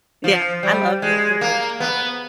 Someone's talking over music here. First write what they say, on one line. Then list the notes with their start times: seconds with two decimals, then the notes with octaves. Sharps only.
Yeah, I love dill pickles. Um,
0.24 F3
0.63 G3
1.02 G#3
1.41 A#3
1.80 B3